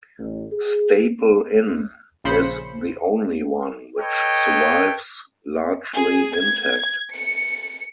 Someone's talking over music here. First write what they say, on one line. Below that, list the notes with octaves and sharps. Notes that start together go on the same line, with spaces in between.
Staple Inn is the only one which survives largely intact.
A1
G#4
A#1 C#3 C5 B5 C#7
A4 B4 C#5 D#5 G5
G#4
G#6
C#7